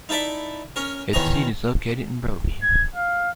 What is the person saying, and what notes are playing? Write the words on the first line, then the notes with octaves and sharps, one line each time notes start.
Its seat is located in Broby.
D#4 E4 A4 D5 E5
C#4 A#4
E2 D#3 E3 C#4 D#5 A#5
G#6
F5